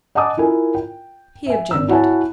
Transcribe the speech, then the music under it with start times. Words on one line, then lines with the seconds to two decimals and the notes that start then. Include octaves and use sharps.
He objected.
0.15 D#5 F#5 G#5 A5 D6 D#6
0.37 E4 F4 A#4 G#5
0.75 G5
1.46 E5 G#5
1.71 G#1 E6
1.88 E4 F#4 C#5 F#5 G#5 A5